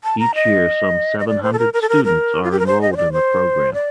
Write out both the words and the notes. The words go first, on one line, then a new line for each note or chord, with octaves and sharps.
Each year some seven hundred students are enrolled in the programme.
A5
A#5
D#5
D#5
D5
C5
A4
A#4
A#4
A4
A#4
A#4
F4
G4
A#4
C5
D#5
C5
D5
C5
D5